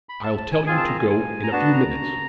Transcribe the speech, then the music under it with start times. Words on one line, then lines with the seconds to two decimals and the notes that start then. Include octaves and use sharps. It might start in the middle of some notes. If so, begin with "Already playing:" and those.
"I'll tell you to go in a few minutes."
0.09 B5
0.24 A5
0.37 A5
0.52 G#5
0.67 C4 F4 G#4 G#5
0.77 A5
0.87 A#5
0.99 G#5
1.10 G#5
1.44 A#5
1.52 B3 D4 F#4 A5
1.74 A#5